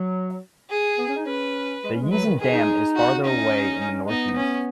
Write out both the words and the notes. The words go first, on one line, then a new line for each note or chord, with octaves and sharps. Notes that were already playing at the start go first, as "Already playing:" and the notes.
The Yezin Dam is farther away in the north-east.
Already playing: F#3
G#4
B3
C#4
D#4
C#4 B4
G#3
C#4
G#3
F#3 B4
D#3
D#3 G#4
D#4
F#4
C#4 D#4
G#3
B3 D#4
C#4